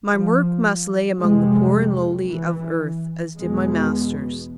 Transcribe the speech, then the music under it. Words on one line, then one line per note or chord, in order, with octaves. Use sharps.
My work must lie among the poor and lowly of earth as did my Master's.
F3
F2 C3 G#3
E3
E2 B2 G#3